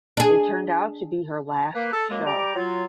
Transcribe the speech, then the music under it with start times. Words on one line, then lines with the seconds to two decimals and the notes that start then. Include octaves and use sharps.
It turned out to be her last show.
0.17 D4 G#4
1.75 A#3 B4
1.92 A4
2.09 F#2 G#3 A#3
2.26 G3 G5 A#5 D6
2.56 F#3 F4